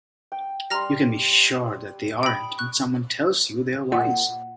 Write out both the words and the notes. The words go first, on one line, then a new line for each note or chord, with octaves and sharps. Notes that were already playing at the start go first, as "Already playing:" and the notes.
You can be sure that they aren't when someone tells you they are wise.
G5
G3 A#5 C6 F6 A#6
G5 B5 D#6
C#6 F#6
A#2 F#5